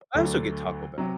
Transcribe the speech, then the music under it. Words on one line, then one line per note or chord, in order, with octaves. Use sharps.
I also get Taco Bell.
D2 D3 F#3 A3
C3 F#3